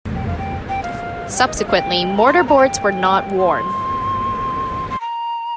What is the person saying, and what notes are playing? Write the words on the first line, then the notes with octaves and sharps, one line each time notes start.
Subsequently, mortarboards were not worn.
G5
F5
G5
G5
F5
F5
G5
D#5
D#5
F5
G5
A#5
C6
A#5
A#5
G5
C6
C6
A#5